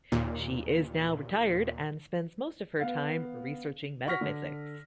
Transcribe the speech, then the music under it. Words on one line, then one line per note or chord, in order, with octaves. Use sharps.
She is now retired, and spends most of her time researching metaphysics.
D#2 A#2
B3 F5
F#5 C#6 F6 A#6 B6
D3